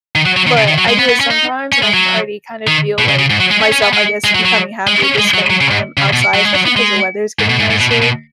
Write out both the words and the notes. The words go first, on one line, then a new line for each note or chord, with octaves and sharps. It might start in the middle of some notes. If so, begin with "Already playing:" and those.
but I do it sometimes, and I can already kind of feel, like, myself, I guess, becoming happier, just spending time outside, especially 'cause the weather is getting nicer.
D#3
F#3
F#3
D#3
C#3
D#3
F#3
G#3
B3
B3
C#4
D#4
C#4
G#3
F#3
D#3
B2
C#3
C#3
G#2
F#3
G#3
C#4
C#4
B3
G#3
G#3
F#3
F#3
G#3
C#4
G#3
F#3
F#3
C#3
G#2
C#3
B2
F#3
G#3
F#3
B3
G#3
G#2
B2
G#2
G#2
B2
B2
B2